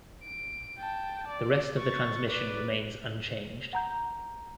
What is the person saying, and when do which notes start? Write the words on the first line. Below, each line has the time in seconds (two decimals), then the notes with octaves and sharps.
The rest of the transmission remains unchanged.
0.23 D7
0.78 G5 A5
1.27 D5
1.77 C#6 A6
2.29 B4 D5
3.73 F#5 A#5 G6